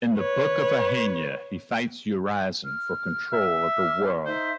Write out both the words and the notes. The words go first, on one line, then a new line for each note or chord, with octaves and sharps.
In "The Book of Ahania" he fights Urizen for control of the world.
B4 C#5
F6
E5
D6 F6
D#4 C5 E5